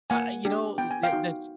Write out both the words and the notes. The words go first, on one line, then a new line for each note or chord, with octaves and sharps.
I I you know, i ye that ch
A#3 F#5 G#5
D4 G4
B3 G5
G#5
F5 G5
D#4 F#4